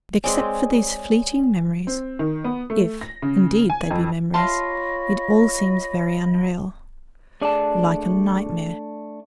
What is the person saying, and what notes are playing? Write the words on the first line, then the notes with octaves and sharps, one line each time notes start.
But, except for these fleeting memories, if, indeed, they be memories, it all seems very unreal, like a nightmare.
G#3 C4 C#5 D5 G#5 D6 D#6
C4
D#3
B3
A3
A#6
C#3
G#5
F2
F4 C#5 D#5 E5 A5 B5 C6
A3 D4 G#4 D5 A5